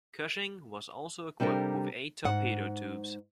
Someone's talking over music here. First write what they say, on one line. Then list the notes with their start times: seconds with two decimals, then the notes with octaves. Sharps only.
"Cushing" was also equipped with eight torpedo tubes.
1.40 C3 G3 D4 A4 A#4
2.25 G#2 F#5